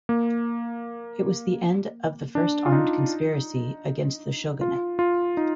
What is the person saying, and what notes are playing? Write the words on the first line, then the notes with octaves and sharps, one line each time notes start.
It was the end of the first armed conspiracy against the shogunate.
A#3
D4
F4
D#4
F4
F4
D#4